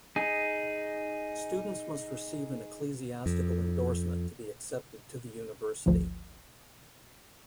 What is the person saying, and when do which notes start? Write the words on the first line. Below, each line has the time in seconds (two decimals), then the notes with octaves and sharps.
Students must receive an ecclesiastical endorsement to be accepted to the university.
0.16 D#4 G#4
3.26 F2
5.86 G#1 D2 F3